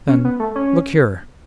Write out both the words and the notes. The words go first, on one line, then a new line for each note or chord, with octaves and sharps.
Then, "Look here!"
C#4
B3
A3
C#4